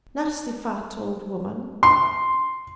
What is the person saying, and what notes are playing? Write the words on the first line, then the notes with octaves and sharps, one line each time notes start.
Nasty fat old woman!
C6